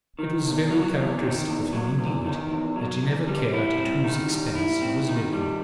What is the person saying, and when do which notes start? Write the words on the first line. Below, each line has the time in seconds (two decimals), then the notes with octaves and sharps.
It was very characteristic of him, indeed, that he never cared at whose expense he was living.
0.19 D#3
0.45 E2
0.70 F#3
0.96 E2
1.21 D#3
1.48 E2
1.73 F#3
1.99 E2
2.25 D#3
2.50 E2
2.76 F#3
3.02 E2
3.27 G3
3.53 E4
3.78 C4
4.04 D#3
4.30 G3
4.55 E4
4.81 C4
5.06 D#3
5.33 G3